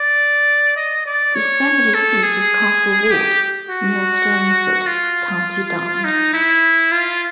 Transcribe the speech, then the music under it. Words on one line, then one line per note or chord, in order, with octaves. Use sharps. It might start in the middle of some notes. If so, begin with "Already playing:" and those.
The family seat is Castle Ward, near Strangford, County Down.
Already playing: D5
D#5
D5
C#5
A4
G#4
G4
F#4
F4
D#4
E4
F4